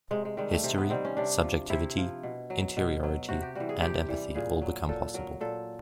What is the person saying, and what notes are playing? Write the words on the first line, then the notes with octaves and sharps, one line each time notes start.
History, subjectivity, interiority, and empathy all become possible.
C3 G#3
G#3
D#3 G3 G#3
A3
C3
B3
D#3 G3 C4
C#4
C3 D4
F3
C3 E4
F3
B2
F#3
B2
F#3
C3 F#4
G4
E3 G3 F#4
G#4
C3 G4
E3 G3
A#2 G#4
F#3
A#2 A4
F#3 A#4
A#2 A4